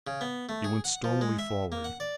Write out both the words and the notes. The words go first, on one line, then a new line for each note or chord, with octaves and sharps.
He went stonily forward.
C#3
B3
A3
G#4
F#5
F3
G#3
E5
A#3
F#5
D5